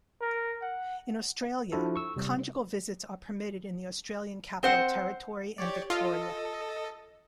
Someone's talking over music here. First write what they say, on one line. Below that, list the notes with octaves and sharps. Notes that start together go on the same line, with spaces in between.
In Australia, conjugal visits are permitted in the Australian Capital Territory and Victoria.
A#4
F#5
F3 D4 E4 F#4 A4
C#6 E6
C3 G3
C4 C5 F#5
G4 C#5 D5
F4 A4 D#5